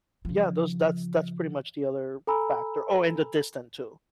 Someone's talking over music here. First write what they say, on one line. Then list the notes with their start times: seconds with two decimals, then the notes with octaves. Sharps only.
Yeah, those that's that's pretty much the other factor. Oh, and the distance too.
0.25 C#3 F3
2.27 A4 G#5 A#5 B5 E6